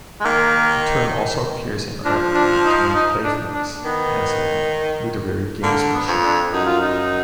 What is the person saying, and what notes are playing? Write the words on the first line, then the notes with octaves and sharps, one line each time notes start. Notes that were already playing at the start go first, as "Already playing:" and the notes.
The term also appears in art theory to mean playfulness, as in "literary gamesmanship".
G#3
D#3 A#3
F3 D4
D4
D#4
D#4
D4
D4
D#3 B3
D3 A#3
B3
F2
D4
F#2 D#4
F4
D#4